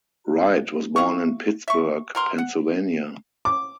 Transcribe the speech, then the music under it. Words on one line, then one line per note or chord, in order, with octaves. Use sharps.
Wright was born in Pittsburgh, Pennsylvania.
E4 F5 C#6
E5 C#6
B2 A#4 C6
F#5
D6